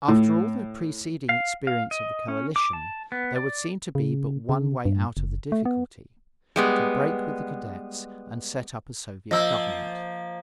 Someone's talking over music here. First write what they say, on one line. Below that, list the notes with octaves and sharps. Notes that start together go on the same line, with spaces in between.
After all the preceding experience of the coalition, there would seem to be but one way out of the difficulty--to break with the Cadets and set up a Soviet government.
A2
F5
F5
D#5
C#4
D6
A5
B3
D5
C#3
C#3
G2
F#1
A3
B3
G3 G#3 B3
F3 A#3 D#5 E6